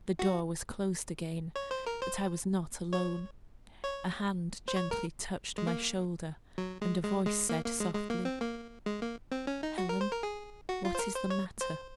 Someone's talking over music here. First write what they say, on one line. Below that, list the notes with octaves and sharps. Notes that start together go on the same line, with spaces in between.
The door was closed again--but I was not alone; a hand gently touched my shoulder, and a voice said, softly,--'Helen, what is the matter?'
F#4
C#5
C5
A#4
C5
C#5
C#5
C5
C#5
A#4
G#3
A#3
F#3
G#3
G#3
G#3
A#3
A#3
G#3
G#3
A#3
C4
A#3
G#3
A#3
C4
C#4
D#4
F#4
A#4
C5
A#4
G#4
F#4
F4
C5
A#4
C5
C#5
C5